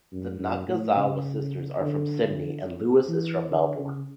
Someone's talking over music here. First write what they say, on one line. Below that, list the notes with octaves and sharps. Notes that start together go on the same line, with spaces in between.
The Nakazawa sisters are from Sydney and Lewis is from Melbourne.
F#2
F#2
A2
C#3
D3
D3
E3
D3
C#3